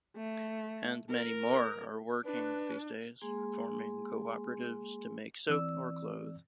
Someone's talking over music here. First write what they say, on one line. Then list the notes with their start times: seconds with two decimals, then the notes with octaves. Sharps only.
And many more are working these days, forming co-operatives to make soap or clothes.
0.16 A3
1.09 A#4
2.25 D4 B4
3.21 G#3 A#3 G#4 G#5 C6
5.50 E3 C4 D5 E6